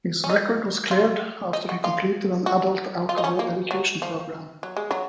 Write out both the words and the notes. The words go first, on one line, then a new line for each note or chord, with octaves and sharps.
His record was cleared after he completed an adult alcohol education program.
C#4
D#4
F4
D#4
F#4
F4
F#4
F4
D#4
C#4
A#3
F#3
F3
F#3
G#3
F#3